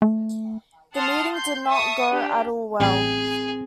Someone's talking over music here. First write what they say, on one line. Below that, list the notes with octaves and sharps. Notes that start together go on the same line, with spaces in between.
The meeting did not go at all well.
A3
F#5 A5 C6 D#6 F6
C6 G6
E5 A5 C#6 D#6
D4 G4
A1 G3 C4 G#4 G5 G#5